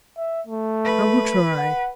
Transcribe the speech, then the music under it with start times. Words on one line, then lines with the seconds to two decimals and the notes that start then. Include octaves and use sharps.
"I will try."
0.17 E5
0.47 A3
0.85 B4
1.57 F#5